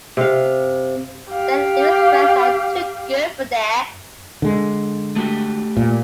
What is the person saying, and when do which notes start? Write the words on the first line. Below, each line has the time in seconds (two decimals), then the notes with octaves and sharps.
Saint Louis fans are too good for that.
0.17 C3 F5
1.31 G4 F5
4.42 D3 G#3
5.16 A3 F#4 G4
5.77 A#2